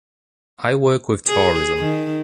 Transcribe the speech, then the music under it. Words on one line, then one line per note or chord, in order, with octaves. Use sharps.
I work with tourism.
G#4
D#3